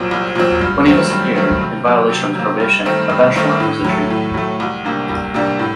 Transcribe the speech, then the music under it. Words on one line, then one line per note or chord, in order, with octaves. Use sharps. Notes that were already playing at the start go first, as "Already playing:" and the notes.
When he disappeared, in violation of his probation, a bench warrant was issued.
Already playing: C2 A#2 F#3 C4
C2
A#2 F#3 C4
G2
D#3 F#3 A3 C4
G2
D#3 F#3 A3 C4
C3
F#3 A#3
C3
F#3 A#3
G2
D#3 A3 C4 D#4
G2
D#3 A3 C4 D#4
A2
F#3 A3
A2
F#3 A3
C2
C3 G3 A#3 D4
C2
C3 G3 A#3 D4
A2